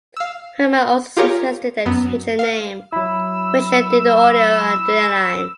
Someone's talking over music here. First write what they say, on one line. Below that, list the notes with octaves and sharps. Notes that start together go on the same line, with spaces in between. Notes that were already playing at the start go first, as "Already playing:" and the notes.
Herdman also suggested they change their name, which they did to Audio Adrenaline.
F5 E6
F4 G4 G#4 A#4 C#5 F5
F#2 B3
F5 F6
F#3 E4 B5 E6